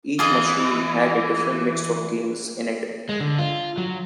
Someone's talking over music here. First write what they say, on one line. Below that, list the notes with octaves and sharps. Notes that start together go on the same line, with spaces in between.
Each machine had a different mix of games in it.
E3 F4 G#4 D#5
G#3
D3
F4
F#3